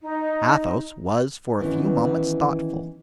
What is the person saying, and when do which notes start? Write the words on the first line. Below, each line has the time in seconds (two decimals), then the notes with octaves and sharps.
Athos was for a few moments thoughtful.
0.01 D#4
1.60 D#3 E3 B3 C#4